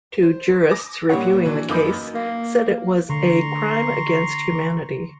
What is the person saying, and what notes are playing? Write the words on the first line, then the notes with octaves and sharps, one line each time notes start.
Two jurists reviewing the case said it was a "crime against humanity".
C5
D6 A#6
A#2 G3 A#3 C#5 F#5
E3 D4 F#4
F#2 A#3 D#4 B4 D6 G6
A#3
D3 A#5 C6 C#6